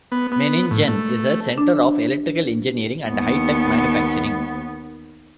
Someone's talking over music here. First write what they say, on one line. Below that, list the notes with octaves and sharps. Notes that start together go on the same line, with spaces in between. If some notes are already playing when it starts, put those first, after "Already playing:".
Meiningen is a center of electrical engineering and high-tech manufacturing.
B3
B3
A2
A3
D4
D#2 B3